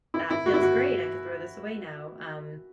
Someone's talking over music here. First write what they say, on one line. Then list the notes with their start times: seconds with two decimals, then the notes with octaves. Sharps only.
"That feels great. I could throw this away now." Um,
0.14 E4
0.30 E4
0.46 F#4
0.54 E4
0.62 F#4